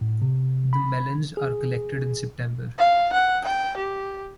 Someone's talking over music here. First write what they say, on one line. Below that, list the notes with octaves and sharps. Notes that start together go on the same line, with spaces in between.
The melons are collected in September.
A2
C3
B5
G#4
F5
F#5
G5
G4